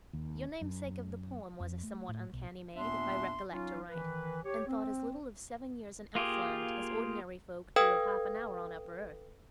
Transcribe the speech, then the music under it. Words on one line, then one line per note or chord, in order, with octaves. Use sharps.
Your namesake of the poem was a somewhat uncanny maid, if I recollect aright, and thought as little of seven years in elfland as ordinary folk do of half an hour on upper earth.
D#2
F#2
F2
A3
A2
B1
D#2 A#2 B3 D4 E5 C6
F#3 C#4 D#4 F4
D#3 E3 B4
G4 C#5
C4
A#3 F4 G4 G#4
A4 B4 F5 G5 D#6 G#6